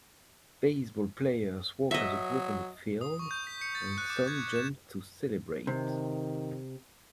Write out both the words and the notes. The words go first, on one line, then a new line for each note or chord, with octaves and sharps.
Baseball players walk as a group on the field, and some jump to celebrate.
F#3 D#5 E5
D#6
C#6
G6
B6
C#7
A6
F#6
D6
G#6
E7
C3 D#3